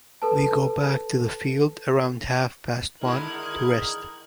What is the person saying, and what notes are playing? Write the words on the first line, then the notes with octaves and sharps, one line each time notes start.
We go back to the field around half past one to rest.
A4 B4 A5
D3 D#3 G#3 E4 A#4 F#6 G#6